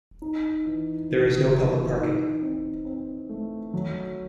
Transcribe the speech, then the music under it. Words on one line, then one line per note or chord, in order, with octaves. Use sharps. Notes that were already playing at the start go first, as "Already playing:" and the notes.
There is no public parking.
D#4
E3
E3
E3
D#4
C4
C4
A3
F#3